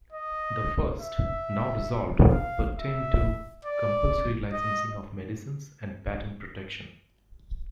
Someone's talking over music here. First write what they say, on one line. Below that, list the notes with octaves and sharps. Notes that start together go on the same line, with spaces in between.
The first, now resolved, pertained to compulsory licensing of medicines and patent protection.
D#5
E5
F5
E5
D5
D#5